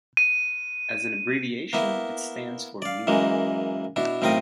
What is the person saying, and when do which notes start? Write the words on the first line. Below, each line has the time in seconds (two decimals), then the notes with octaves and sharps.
As an abbreviation, it stands for metre.
0.17 D#7
1.73 A#3 B3 E4
2.82 D5 F5
3.07 F#2 E3 G#3 A#3
3.96 B2 D4 E4
4.22 B1 A2 C4 A#4 F5 D#6